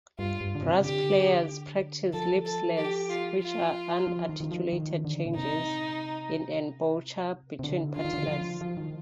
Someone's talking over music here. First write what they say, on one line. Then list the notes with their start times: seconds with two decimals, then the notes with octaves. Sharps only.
Brass players practice "lip slurs", which are unarticulated changes in embouchure between partials.
0.18 G2 F4
0.41 G2
0.55 D3
0.63 C3
0.83 D3 G4
2.13 F3 A4
2.45 A4
2.78 G4
3.10 F4
3.43 F4
4.07 F3
4.29 D#3
4.40 D#3
4.51 F3
4.73 D#3
5.05 D3
5.26 A#2
5.36 C3 D#4
7.59 C3
7.64 D3
7.96 D3 F4
8.05 D#3
8.13 D3
8.28 F3
8.61 F3
8.77 D#3